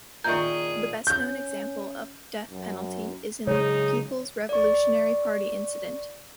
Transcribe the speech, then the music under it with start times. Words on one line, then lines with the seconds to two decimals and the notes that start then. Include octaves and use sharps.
The best-known example of death penalty is in People's Revolutionary Party Incident.
0.24 A#2 D#3 G#4 E5 A#5 C#6 G6
1.07 C#4 G6
2.51 F#2
3.47 C#3 F#3 G#3 D#4 G#4 C#5
4.49 D5 C#6